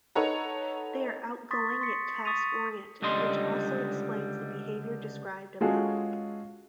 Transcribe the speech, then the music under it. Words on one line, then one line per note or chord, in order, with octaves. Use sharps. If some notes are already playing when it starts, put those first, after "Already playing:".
They are outgoing, yet task-oriented, which also explains the behavior described above.
D#4 A4 B4 C#5 F#5 A#5
C6 C#6 D#6 A6 B6
C6 B6 C#7
C#6 D#6 A6 B6 D#7 F7
C#2 D3 G3 D#5 C6
G#3 C#4 F4 F#4 G#4 A4